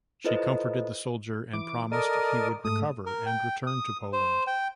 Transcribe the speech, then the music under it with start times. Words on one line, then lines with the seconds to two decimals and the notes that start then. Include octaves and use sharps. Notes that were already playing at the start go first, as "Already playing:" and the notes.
She comforted the soldier and promised he would recover and return to Poland.
0.24 E4 F4 A4 B4 C5 D#5
1.53 E3 D6
1.92 A4 A#4 D5 D#5
2.65 G#2 A3 D#6
3.06 A#4
3.26 G5
3.67 D#6
4.13 C5
4.47 G5